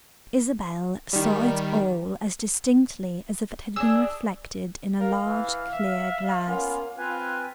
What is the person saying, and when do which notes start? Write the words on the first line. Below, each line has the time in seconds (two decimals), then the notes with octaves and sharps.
Isabel saw it all as distinctly as if it had been reflected in a large clear glass.
1.13 D#3 G3
3.76 D4 G#4 E6
5.00 A#4 F5
5.21 E3
5.72 E5
6.47 A#3 B3 C#4 F4
6.98 C4 F4 B4 G#5